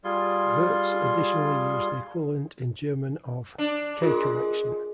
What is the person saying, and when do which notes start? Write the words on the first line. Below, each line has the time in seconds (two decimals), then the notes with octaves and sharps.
Wirtz additionally used the equivalent in German of "K correction".
0.04 G3 F4 G#4 C6
3.58 D4
4.02 G#3 F4 G#4 A#4